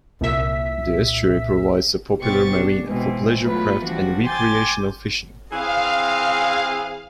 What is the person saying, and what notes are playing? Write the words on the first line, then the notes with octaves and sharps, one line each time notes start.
The estuary provides a popular marina for pleasure craft and recreational fishing.
C2 A#2 E5 B6
B2 B3 C4 G4 C#6 A6
D4
B2 E3 G#3 C4
F#3 A3 B3 F4 B4
E3 F3 G3 D4 F#4
G5 G#5 C6 D6 G6 A6
E3 C4 G#4 F5